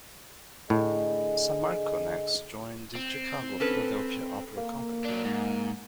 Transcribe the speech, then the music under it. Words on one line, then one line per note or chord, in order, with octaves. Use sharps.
Sammarco next joined the Chicago-Philadelphia opera company.
A2 D3 G#4 D#5
C4
C#4 A4 B4
A#3
F#3 D4
G#2